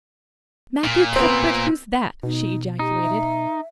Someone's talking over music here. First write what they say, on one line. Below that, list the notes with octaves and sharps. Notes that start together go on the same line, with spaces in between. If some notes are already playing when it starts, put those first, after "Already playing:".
"Matthew Cuthbert, who's that?" she ejaculated.
A#2
B3 C4
B2 D#4
D#4 G4
E5